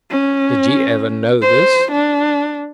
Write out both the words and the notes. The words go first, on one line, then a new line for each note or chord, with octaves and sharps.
Did ye ever know this?
C#4
C5
D4